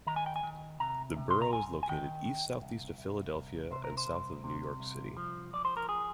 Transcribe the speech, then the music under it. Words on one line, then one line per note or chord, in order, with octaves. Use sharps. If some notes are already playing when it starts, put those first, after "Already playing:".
The borough is located east-southeast of Philadelphia and south of New York City.
D#3 A#5
G#5
G5
G#5
D#3
C3 A#5
C3
C6
A#5
C2 G#5
G#5
D#3 G5
D#3
C2
C2
C2
C3 C5
A#4
C5
C2
C3
C2
F3
F3 D5
C5
A#4
G#4